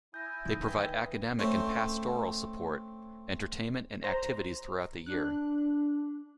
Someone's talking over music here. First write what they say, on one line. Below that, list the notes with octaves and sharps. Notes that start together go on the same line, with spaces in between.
They provide academic and pastoral support, entertainment and activities throughout the year.
E4 G#5 D#6 G6 A#6
D#3
B4 G5
A3 C4 C#4
C5 A#5
D4 F#6